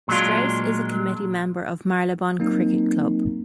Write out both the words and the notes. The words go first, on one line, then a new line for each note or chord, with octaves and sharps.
Strauss is a Committee Member of Marylebone Cricket Club.
A#2 F#3 G#3 D4 F4
F#3 A#3 C4 D#4